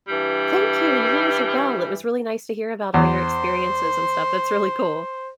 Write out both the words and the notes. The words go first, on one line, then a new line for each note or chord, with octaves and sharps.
Thank you, and you as well. It was really nice to hear about all your experiences and stuff. That's really cool.
G2 E3 G3
E2 C5